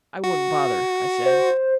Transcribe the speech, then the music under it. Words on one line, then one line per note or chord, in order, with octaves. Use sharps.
"I wouldn't bother," I said.
F#4
C5